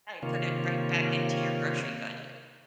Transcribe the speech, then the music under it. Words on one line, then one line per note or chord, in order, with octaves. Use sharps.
Right put it right back into your grocery budget.
C3 D#3 A#3 F4 C#5